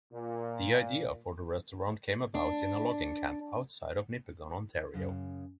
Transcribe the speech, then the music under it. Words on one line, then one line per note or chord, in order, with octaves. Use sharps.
The idea for the restaurant came about in a logging camp outside Nipigon, Ontario.
A#2
D4
F#2 C#3